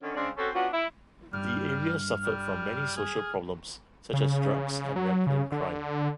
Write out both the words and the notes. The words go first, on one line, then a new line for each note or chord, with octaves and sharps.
The area suffered from many social problems such as drugs and rampant crime.
D3 D#3 C#4
C#3 G#3 C4 D4
C4 C#4 F#4 A4
B3 C#4 D4 F4 F#4
E4
G2 G3 F6
G3
G#4
C#3
F#3
C#3
D3